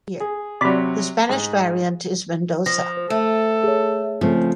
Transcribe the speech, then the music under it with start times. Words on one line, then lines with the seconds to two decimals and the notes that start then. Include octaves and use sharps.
The Spanish variant is Mendoza.
0.20 G#4
0.61 C3 F#3 D5 B5
1.29 G#2
2.66 F3 A#6
2.97 C5
3.10 A3 A4
3.64 G#4 C#5
4.21 C#3 F3 A3 C4